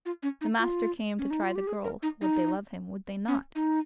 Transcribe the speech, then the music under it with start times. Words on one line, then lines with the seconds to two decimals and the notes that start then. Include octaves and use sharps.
The master came to try the girls: Would they love him, would they not?
0.05 F4
0.23 C#4
0.41 D#4
0.59 F4
1.19 C#4
1.31 D#4
1.43 F4
1.55 G4
1.67 G#4
1.84 A#4
2.02 D#4
2.21 D#4
3.28 C#4
3.55 D#4